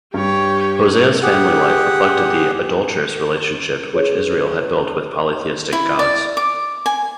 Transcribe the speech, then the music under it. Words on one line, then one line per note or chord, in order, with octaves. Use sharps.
Hosea's family life reflected the "adulterous" relationship which Israel had built with polytheistic gods.
G2 G4 C#5
G4 G#4 F#5
G#4 B4 C#5
E4
D5
D6
G#5